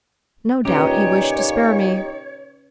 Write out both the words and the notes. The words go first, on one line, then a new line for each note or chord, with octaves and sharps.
"No doubt he wished to spare me."
A#2 C#4 D#4 G4 B4 C#5